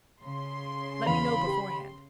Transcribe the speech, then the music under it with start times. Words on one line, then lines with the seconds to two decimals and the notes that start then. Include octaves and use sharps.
Let me know beforehand....
0.23 C#3 C6
1.06 E2 F5 B5 F7
1.47 G4